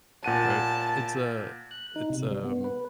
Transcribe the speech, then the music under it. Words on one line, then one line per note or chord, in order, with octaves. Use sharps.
Right, it's a it's, um
A#2 F#5 A5 D#7
F#6
D#4
C3
G3
B3
B4